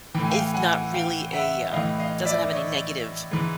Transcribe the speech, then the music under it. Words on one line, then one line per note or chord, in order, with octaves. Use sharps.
is not really a, um doesn't have any negative
A2 E3 G5
G#5
F5 G5
F#5 G#5
F5 G5
E5 F#5
A2 E3 D#5 F5
D#5 F5
D5 E5
C#5 D#5
G#2 E3